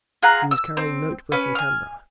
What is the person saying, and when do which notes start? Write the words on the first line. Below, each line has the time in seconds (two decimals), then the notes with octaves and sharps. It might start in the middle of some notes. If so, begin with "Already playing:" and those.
He was carrying note-book and camera.
0.22 F4 G#4 F#5 A#5
0.51 E6
0.77 C4
1.32 C#4 B4
1.55 G#5 F6